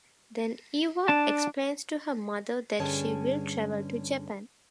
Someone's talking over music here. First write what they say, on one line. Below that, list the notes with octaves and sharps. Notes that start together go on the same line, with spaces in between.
Then Eva explains to her mother that she will travel to Japan.
D4 A5
G2 D3 C#4 G#4 C#5 A5